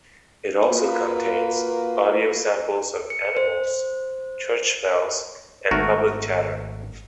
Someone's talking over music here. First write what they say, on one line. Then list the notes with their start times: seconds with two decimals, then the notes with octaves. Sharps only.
It also contains audio samples of animals, church bells, and public chatter.
0.68 A#3 F4 F#4 B4
3.10 C#7
3.37 C5
5.71 G#1 A3 F#4 A#4